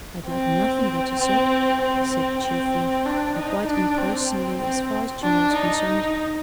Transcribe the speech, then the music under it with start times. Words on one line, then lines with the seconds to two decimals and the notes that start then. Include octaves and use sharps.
"I'd like nothing better, sir," he said cheerfully, and quite impersonally as far as June was concerned.
0.26 C4
1.19 C4
1.81 C4
2.42 C4
3.05 D4
3.37 D#4
3.67 D4
3.98 C4
4.61 C4
5.23 D4
5.53 D#4